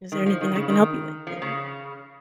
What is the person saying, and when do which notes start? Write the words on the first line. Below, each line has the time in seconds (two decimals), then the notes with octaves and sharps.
Is there anything I can help you with, and"
0.12 D#3
0.26 F3
0.41 D#3
0.55 C#3
0.70 D#3
1.27 F3
1.42 C#3